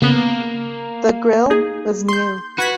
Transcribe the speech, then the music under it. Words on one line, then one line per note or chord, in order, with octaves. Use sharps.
The grille was new.
C#3 A#3 B3
D#4 G#4
C6 G6
F#4 B4 G#6 B6